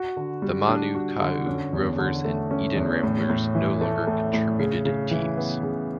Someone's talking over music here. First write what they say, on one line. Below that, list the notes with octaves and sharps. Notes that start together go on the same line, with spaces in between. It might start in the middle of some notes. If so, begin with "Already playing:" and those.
The Manukau Rovers and Eden Ramblers no longer contributed teams.
Already playing: F#4
D3
G3
D4
F#4
D3
C#4
E2
D3
A3
C#4
E2
A2
A2
E3
A3
A2
A2
C#3
C#3
E3
B3
C#3